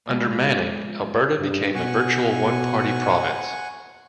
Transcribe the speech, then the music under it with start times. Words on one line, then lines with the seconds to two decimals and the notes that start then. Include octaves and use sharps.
Under Manning, Alberta became a virtual one-party province.
0.06 A#2 F3 G#3 B3
1.39 G2
1.75 B2 F#5 G#5 C#6